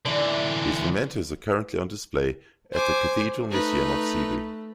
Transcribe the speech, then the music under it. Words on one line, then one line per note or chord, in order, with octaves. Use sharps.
His mementos are currently on display at the Cathedral Museum of Cebu.
D3 E3 D5
C5 G#5 D6
A3 D#4 B4